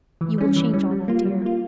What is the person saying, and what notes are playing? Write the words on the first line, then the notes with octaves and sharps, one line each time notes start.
You will change all that, dear.
E3
G3 C#4
E3
G3 C#4
G3
A#3 F4
G3
A#3 F4